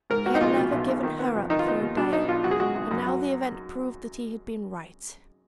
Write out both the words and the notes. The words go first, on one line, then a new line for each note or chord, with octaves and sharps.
He had never given her up for a day, and now the event proved that he had been right.
G#2 A#4
A#3 F#4
D#4
A#1 F4
B2
B1
B1
D#3
B3
F2
D#3 D#4
F4
B3 D#4
D#2
B2 D4
B1 D#4
B1 F4
F#2 F#4
G#4
G#3 F#4
G#1
F#2
F#3